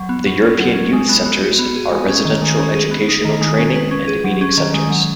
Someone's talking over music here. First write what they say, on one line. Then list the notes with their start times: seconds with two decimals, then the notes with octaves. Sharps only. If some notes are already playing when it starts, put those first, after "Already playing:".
The European Youth Centres are residential educational, training and meeting centres.
Already playing: F#3
0.09 B3
0.26 F#3
0.42 C#4
0.59 F#3
0.75 C#4
0.93 G#3
1.09 B3
1.26 B3
1.42 F#4
1.59 B3
1.76 G#4
1.92 G#3
2.09 C#4
2.25 D#3
2.42 G#3
2.59 C#4
2.75 G#4
2.91 B3
3.08 D#4
3.25 D#3
3.41 G#3
3.58 C#4
3.75 B4
3.91 C#4
4.08 G#4
4.24 F#3
4.41 C#4
4.57 D#3
4.74 G#3
4.90 F#3